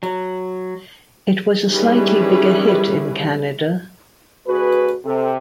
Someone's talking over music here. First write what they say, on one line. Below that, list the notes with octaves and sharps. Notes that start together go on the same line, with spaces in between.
It was a slightly bigger hit in Canada.
F#3
D#3 G3 C#4 E4 G#4 B4
D2 F#4 G#4 B4
C3 A4